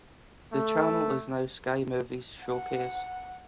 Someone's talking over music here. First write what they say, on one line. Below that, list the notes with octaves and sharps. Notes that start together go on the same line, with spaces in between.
The channel is now Sky Movies Showcase.
A3
F#5